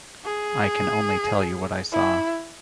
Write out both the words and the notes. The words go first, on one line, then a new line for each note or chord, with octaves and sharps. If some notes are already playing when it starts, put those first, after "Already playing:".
I can only tell you what I saw.
G#4
E4